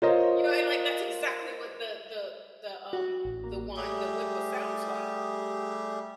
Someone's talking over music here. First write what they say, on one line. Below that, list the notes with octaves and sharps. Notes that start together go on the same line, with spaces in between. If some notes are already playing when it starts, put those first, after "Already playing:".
You know? And, like, that's exactly what the the the, um, the whine the whimper sounds like.
F4 A#4 C5 C#5 D#5
F#4
A1
A#3
G3 A3 G4 G#4